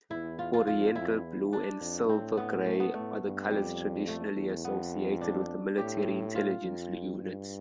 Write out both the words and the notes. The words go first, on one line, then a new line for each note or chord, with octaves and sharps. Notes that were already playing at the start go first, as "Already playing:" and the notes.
Oriental blue and silver gray are the colors traditionally associated with Military Intelligence units.
E2 E4
F4
F4
F2 F4
F2 E4
E2
D4
F2
A2 C4
B3
A3
B3
A2 A3
G2
F2 G3
A3
E2
F2 B3
D4
A2 G4
F4
F2
G2